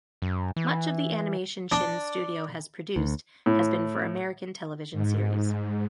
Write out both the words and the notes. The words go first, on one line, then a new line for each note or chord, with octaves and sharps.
Much of the animation Shin's studio has produced has been for American television series.
F#2
E3
D4
D2
A2
G#2